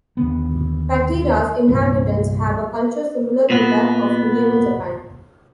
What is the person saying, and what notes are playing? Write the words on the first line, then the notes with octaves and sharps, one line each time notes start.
Patera's inhabitants have a culture similar to that of medieval Japan.
D#2 D3 B3
C2 G2 A#2 E3
A#2 B3